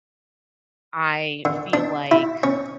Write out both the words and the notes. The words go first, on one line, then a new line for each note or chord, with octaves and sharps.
"I feel like
D3
D4
E4
C#4